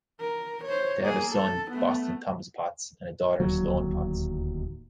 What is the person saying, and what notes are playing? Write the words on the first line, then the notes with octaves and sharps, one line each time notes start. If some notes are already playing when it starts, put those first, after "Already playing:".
They have a son, Boston Thomas Potts and a daughter, Sloane Potts.
A#4
C5 C#5
A#3 G#4
A4
A3 B3
D1 D#2 F#3